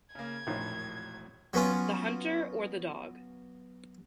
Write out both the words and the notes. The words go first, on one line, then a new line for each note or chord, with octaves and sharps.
The hunter or the dog?
C#3 A#3 G#6
E1 A#1 F2 A2 D#3
F#3 B3 C#4 F4